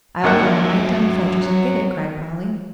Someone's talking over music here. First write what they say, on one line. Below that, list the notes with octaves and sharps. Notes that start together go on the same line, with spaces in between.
"I'll run right down to Fletcher's and get it," cried Polly.
G#1 F#3 A#3 E5 F#5